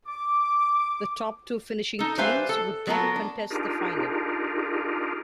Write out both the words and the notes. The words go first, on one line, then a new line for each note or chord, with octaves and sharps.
The top two finishing teams would then contest the final.
D6
D#4 A4
G3 B4 C5 E5 F5 G#5
A4
F#3 B3 F4 A4 A#4
D4
D4 D#4 F4 G4 G#4 A#4